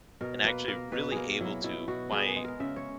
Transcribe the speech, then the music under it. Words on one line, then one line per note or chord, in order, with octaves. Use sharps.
and actually really able to my,
B2 A#4
A#3 B4
A#3 A#4
B2 B4
A#3 G#4 A#4
F#3 E4
B2 E4
B2 F#4
B3 G#4
G#4
G#3
A#4
C#3 E5
C#5